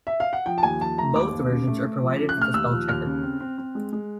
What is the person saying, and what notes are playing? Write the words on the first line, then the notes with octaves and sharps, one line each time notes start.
Both versions are provided with a spell checker.
E5
F5
F#5
F3 G5
A5
D#2 G#5
F3 A5
A3 A#5
D#2 D6
D#2
C#3
A3
A3
F3
C#3
F#6
A3 F6
D#2 E6
F3
D#2 F6
C#3
C4
C4
C4
G#3
G#3